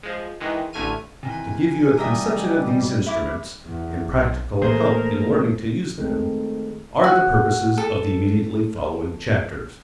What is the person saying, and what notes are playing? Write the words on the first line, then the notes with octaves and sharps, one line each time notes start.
To give you a conception of these instruments, and practical help in learning to use them, are the purposes of the immediately following chapters.
F3 G#3
D#3 E3 G#3
A1 D3 A3 G#5 F6 D#7
C3 D#3 E3 G#5
G3 A#4 D#5 E5
E4 D6
E2
B1
A2 E3 A3 A#3 G#4 A#4 C5
D#3 G#3 A3 C4 G#4
F#4
A4